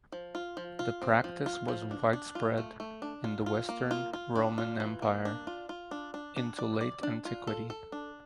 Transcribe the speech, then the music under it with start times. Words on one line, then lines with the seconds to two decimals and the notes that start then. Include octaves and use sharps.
The practice was widespread in the Western Roman Empire into late antiquity.
0.12 F3
0.35 F4
0.57 F3
0.79 F4
1.02 C4
1.24 F3
1.46 F4
1.68 F3
1.91 D4
2.13 D4
2.35 F4
2.58 A3
2.80 A3
3.02 D4
3.24 F4
3.46 F4
3.69 A#3
3.91 F4
4.13 F4
4.36 D4
4.58 F4
4.80 E3
5.02 A#3
5.25 D4
5.47 F4
5.69 F4
5.91 D4
6.14 D4
6.36 D4
6.58 D5
6.81 D5
7.03 D4
7.25 F4
7.47 A4
7.70 A4
7.92 D4